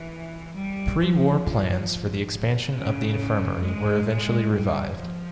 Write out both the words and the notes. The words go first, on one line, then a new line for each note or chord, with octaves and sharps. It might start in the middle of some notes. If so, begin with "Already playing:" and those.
Pre-war plans for the expansion of the Infirmary were eventually revived.
Already playing: E3
G3
F3
F3
C#3
G#3
G#3
G3
F3